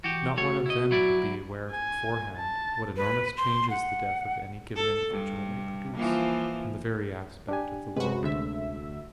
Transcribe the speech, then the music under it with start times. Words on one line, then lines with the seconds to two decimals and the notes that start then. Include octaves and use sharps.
Not one of them could be aware beforehand what enormous changes the death of any given individual may produce in the very aspect of the world.
0.04 E3 F#4 G4
0.37 A3 F#4 C#5
0.66 E4 D#5
0.91 F#3 E4 D5
1.71 G#5
2.37 A5
2.97 B4
3.37 C6
3.70 F#5
4.76 A4
5.10 G2
5.95 E3 F3 A#3
7.49 D4 G4 G#5
7.96 C3 G#3 C#4 F#4 B4
8.22 D2 D3 E5